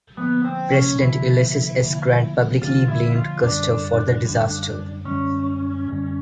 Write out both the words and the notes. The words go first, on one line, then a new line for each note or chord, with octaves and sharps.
President Ulysses S. Grant publicly blamed Custer for the disaster.
D3 F3 A#3 B3
C4
C#4
D3 F3 A#3 E4
D3 F3 A#3
D3 F3 A#3 F4
E4
F4
F#2 D3 G3 D4
F#2 D3 G3
F#2 D3 G3 C#4
F#2 D3 G3